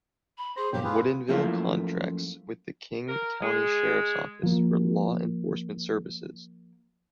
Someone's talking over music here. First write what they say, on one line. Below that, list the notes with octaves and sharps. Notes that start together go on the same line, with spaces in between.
Woodinville contracts with the King County Sheriff's Office for law enforcement services.
B5
G#4 C5 C6 A#6
G2 B2 F#3 A#3 G4 G5
F4 G#4 B4
F#2 F3 A3 A#3 E4 F4
A#4
G#3
F3 A#3